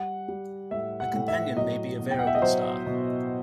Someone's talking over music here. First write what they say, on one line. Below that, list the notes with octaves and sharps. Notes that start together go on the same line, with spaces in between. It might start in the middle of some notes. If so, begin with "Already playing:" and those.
The companion may be a variable star.
Already playing: G3 F#5
G3
A2 E5
F#5
A2
E5
F#3 D#5
B2
G5
F#5
E5
D#5
F#3 C5
B2